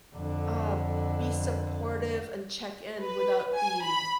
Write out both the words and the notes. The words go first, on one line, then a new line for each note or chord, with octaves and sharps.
uh, be supportive and check in without being
F2 D3
B4
G#5
B5